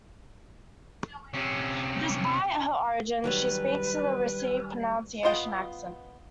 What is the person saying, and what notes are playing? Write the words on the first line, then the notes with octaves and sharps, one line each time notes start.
Despite her origins, she speaks with a received pronunciation accent.
C3 C#4
D#3 F#3 G3 B4
B3 D4 F4 D#5 G5